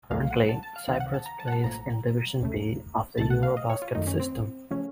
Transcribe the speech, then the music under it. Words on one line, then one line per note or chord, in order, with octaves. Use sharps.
Currently, Cyprus plays in Division B of the EuroBasket system.
C2 A#2 F#3 A3 F5
F#5
A5
A5
F5
C#2 C3 D#3 F5
F#5
A5
A#5
A5
F#5
A5
A#1 A2 F3 A#5
D#2 C#3 A3
C2 C3 D#3 A3 A5
F#5
F5
D#5
C#5
F4
F#2 D#3 A3 D#4
C#4
C4
C#3 F3 A3 C#4